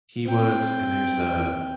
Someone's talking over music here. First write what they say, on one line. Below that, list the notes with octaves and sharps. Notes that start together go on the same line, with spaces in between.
He was, and there's a
C4 G5